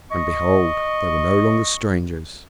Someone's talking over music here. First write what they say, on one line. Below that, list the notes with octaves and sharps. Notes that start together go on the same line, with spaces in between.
And behold, they were no longer strangers.
D#5 C#6